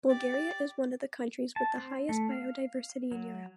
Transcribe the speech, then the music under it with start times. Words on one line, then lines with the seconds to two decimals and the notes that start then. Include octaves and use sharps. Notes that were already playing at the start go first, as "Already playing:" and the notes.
Bulgaria is one of the countries with highest biodiversity in Europe.
0.09 G4 D5 D6
1.56 A5
1.78 C4
2.09 A3
2.31 F5
3.12 F#3